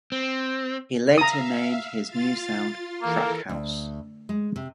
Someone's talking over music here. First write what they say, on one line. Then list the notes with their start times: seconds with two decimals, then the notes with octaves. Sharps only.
He later named his new sound "crack house".
0.12 C4
1.18 E5 F5 A#5 D#6
2.09 F4 F5 A6
2.71 F4
3.02 E3 A#3 A4 A#4
3.49 D2
4.29 G#3
4.56 C3